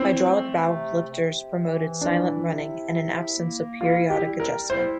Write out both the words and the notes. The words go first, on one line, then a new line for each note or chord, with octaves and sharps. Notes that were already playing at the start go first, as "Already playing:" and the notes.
Hydraulic valve lifters promoted silent running and an absence of periodic adjustment.
Already playing: C4 E4
A3
C3
C3
E3
D4 E4
C3
E4
A#3
E4 F4
G4
G3
A#4
E4 C5